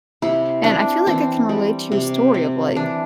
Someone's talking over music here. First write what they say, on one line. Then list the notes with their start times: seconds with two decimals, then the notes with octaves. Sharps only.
and I feel like I can relate to your story of, like,
0.22 C3 E4
0.64 C4 D4
1.07 E3 C4
1.49 G3
1.92 C3
2.34 C4
2.76 E3 D4